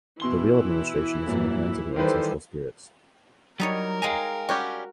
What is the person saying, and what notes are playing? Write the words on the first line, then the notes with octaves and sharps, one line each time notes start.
The real administration is in the hands of the ancestral spirits.
B2 E3 E4 C6 G7
G1 A#2 F#3
D#3 E3 G3 A4 B4 C5
F#3 G3 D#4 A#4 C#5
G#3 G#4 F5 G5 G#5 A#5
G3 C#4 F#4 G4